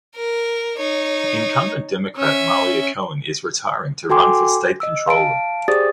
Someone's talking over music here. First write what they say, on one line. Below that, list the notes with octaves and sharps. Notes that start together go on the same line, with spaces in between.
Incumbent Democrat Malia Cohen is retiring to run for state controller.
A#4
D#4 C#5
C#4 E5
F#4 A4 G5 G#5 C6 D6
D#5 E6
F5 A5 D7
G4 G#4 C5 D5 D#6 A6